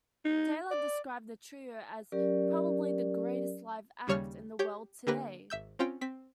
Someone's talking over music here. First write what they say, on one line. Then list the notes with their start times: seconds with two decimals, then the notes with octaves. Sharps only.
Taylor described the trio as "probably the greatest live act in the world today".
0.25 D#4
0.71 D5
2.12 F#3 C#4 G4 A#4 D5
4.07 D#2 C#3 G3 C#5 C#6 F6
4.59 G4 C#5 G5
5.07 D3 A#3 G4 A#4 B4 A#6
5.50 G#1 E5 E6 G6
5.79 C4 C#4 F4 G5
6.01 C4 B6